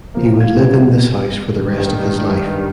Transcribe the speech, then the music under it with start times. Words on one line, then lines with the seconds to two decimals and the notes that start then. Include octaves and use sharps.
He would live in this house for the rest of his life.
0.15 F3 A#3
0.37 F5 G#6
0.59 F3 G3 B3 E4
1.51 G2 D#3